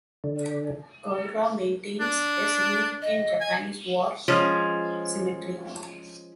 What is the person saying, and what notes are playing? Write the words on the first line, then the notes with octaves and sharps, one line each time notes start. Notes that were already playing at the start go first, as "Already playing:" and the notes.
Cowra maintains a significant Japanese war cemetery.
D3
D4
D#5
G#5
F3 G#3 C#4